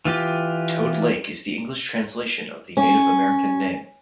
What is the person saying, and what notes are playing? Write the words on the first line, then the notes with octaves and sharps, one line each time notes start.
Toad Lake is the English translation of the Native American name.
E3 F4 G4
C#4